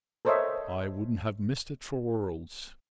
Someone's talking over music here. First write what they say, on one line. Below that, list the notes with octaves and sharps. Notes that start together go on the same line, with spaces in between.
"I wouldn't have missed it for worlds."
A4 A#4 C5 C#5 D#5 E5